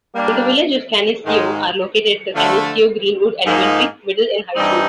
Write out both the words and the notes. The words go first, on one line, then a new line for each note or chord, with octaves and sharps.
In the Village of Canisteo are located the Canisteo-Greenwood Elementary, Middle, and High Schools.
G3 A#3 D4
G#2 D#3 G#3
D3 F3 A3
G#2 F3 A#3 D#4
G2 E3 G3 C4 D#4